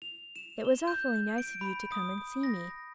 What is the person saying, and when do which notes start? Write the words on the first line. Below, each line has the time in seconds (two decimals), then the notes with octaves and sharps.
"It was awfully nice of you to come and see me."
0.02 F7
0.36 E7
0.65 G7
0.87 G6
1.38 D7
1.61 B5
1.92 D#6
2.43 A#6